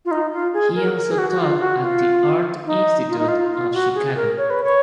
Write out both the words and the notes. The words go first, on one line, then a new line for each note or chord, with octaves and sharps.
He also taught at the Art Institute of Chicago.
F4
D#4
F4
G#4
A#4
A#4
G#4
F#4
F#4
F4
F#4
F4
D#4
F4
D#4
F4
F4
F#4
G#4
A#4
C#5
B4
C#5